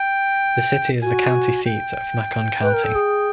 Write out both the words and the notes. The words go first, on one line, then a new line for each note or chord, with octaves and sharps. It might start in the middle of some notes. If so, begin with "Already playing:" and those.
The city is the county seat of Macon County.
Already playing: G5
F#4 G#5
G5
B4
A#4
A4
G#4